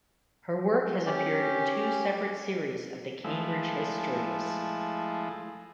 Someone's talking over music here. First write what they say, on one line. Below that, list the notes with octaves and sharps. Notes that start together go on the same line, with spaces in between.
Her work has appeared in two separate series of the Cambridge histories.
C#4 G4
F3 G#3 A3 E4